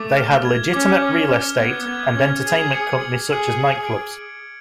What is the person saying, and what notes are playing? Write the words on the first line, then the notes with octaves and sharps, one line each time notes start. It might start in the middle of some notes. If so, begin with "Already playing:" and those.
They had legitimate real estate and entertainment companies such as night clubs.
Already playing: A3 D6
F6
G#6
C#4 D6
D6
F6
B3 G#6
B3 G#6
C#4 G#6
G#4 G#6
C#7
F#7
G#4 F#7
F#7
D7